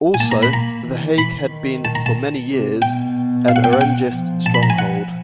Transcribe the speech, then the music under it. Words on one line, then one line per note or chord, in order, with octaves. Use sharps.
Also, The Hague had been for many years an Orangist stronghold.
G#5
A#3 A5
A#5
B5
A#5
E3
B5
D#3
A5
A#5
A5
C3
B2 G5
F5
F#5
G5
F#5
G5
F3
A5
B5
A#5
G#5
F#5